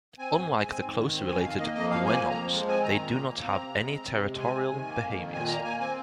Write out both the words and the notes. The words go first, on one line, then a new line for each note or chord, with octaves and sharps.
Unlike the closely related guenons, they do not have any territorial behaviors.
C4 G#5
G#2
G#3
C4
G#2
D#3
C4
F2 G#5
D#3 F5
A#3 D#5
F2 D#5
F3 F5
A#3 G#5
F2
A#5
F3
G#3
C4 G#5
D#3 A#5
A#2
A#3
A#3
C4 A#5
C3
G#3
C4
C3
G#3
C4 G#5
C3
D#3
A#3
F2
D#3
A#2 G#5
A#3 A#5
A#3 G#5
C4 G#5